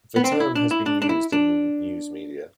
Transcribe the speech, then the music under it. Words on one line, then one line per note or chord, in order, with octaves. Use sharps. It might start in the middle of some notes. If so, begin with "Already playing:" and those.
The term has been used in the newsmedia.
B3
C4
D4
E4
D4
E4
D4
D4
E4
D4